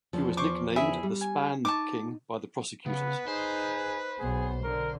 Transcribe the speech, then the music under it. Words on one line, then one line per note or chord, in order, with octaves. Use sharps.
He was nicknamed the "Spam King" by prosecutors.
E2 F3
C5 C#6 D6
E4 G#4 E5
G3
G#5
D#4 A5 C#6 D6
C#3 B3 B4
D#4 G#4 C5
B1 B3 G#4
D3 A#4